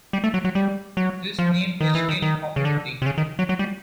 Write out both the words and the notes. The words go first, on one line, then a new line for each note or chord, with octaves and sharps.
This name is still common today.
G3
A3
F#3
F#3
G3
F#3
F3
D#3
E3
D#3
D#3
C#3
D3
C3
C#3
D#3
F#3
F#3
G3